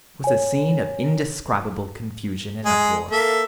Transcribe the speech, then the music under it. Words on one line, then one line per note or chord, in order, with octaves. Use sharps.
It was a scene of indescribable confusion and uproar.
C#5 G#5
G#3 G#4
A#3 A4 E5